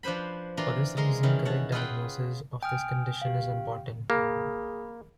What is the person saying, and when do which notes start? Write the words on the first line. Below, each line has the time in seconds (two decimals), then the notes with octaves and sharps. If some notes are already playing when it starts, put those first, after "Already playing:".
For this reason, correct diagnosis of this condition is important.
0.03 F3 D4 B4 C5 B5
0.57 E3 D4 F4 A#4 C6
0.97 G#3 A#4 C6
1.23 D#3 E3 C#4
1.45 C#5 F#5 A5
1.72 F4 G#4 B4 E5 F#5 G5
2.63 G5 G#5 D#6 F6
3.22 G4 F5
4.10 A#3 G#4 B5